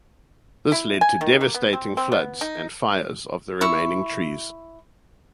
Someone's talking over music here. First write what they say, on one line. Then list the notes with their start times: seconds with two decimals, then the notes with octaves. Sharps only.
This led to devastating floods and fires of the remaining trees.
0.72 E4
1.01 G#5
1.21 D#3
1.41 A#3
1.55 B3
1.73 C4
1.97 C4
2.12 B3
2.41 D#4
3.61 E4 C#6